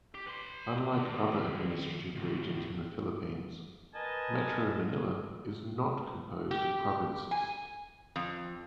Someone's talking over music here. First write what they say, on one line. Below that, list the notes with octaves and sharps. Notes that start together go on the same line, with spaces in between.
Unlike other administrative regions in the Philippines, Metro Manila is not composed of provinces.
G4
B4 C6
D#3 D5
D2 A2
A#4 B4 D#5 G#5 A5
G4
G#5
F2